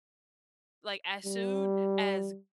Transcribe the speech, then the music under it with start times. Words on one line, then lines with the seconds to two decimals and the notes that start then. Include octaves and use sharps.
like, as soon as
1.26 G3